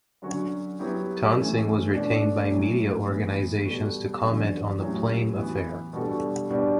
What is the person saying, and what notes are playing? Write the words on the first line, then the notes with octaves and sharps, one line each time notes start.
Toensing was retained by media organizations to comment on the Plame Affair.
D3 F#3 C#4 F#4
F#3 B3 E4 G4
E3 A3 C#4
B2 A3 D4
A2 F#3 C#4
A2 E3 B3
B2 G3 B3 F#4 A4
E2 D3 F#3 C#4 F#4
A2 F#3 C#4 G4
E3 B3 F#4
B2 G3 D4 F#4 A4
B2 G3 D4